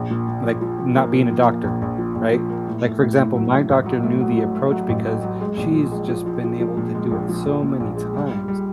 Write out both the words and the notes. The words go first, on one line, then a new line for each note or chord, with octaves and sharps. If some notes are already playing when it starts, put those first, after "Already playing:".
like, not being a doctor, right? Like, for example, my doctor knew the approach because she's just been able to do it so many times.
Already playing: A#1
A#2
A#2
F3
F3
F3
A#3
A#2
F3
A#3
A#1
A#1
F3
A#1
F3
A#3
A2
A3
A2
A2
F#3
A2
A1
F#3
A3
F#3
F#3
A3
F#3
A1
F#3
F#3
G#3
A#1
F3
G#3
F3
F3
F3
F3
A#2
G#3
A#1
F3
A#1
A#2
A#1
G#3
G3
G3
G3